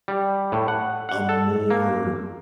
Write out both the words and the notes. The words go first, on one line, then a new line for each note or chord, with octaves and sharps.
a more
G3
A2
F#5
F#5
A4
A#3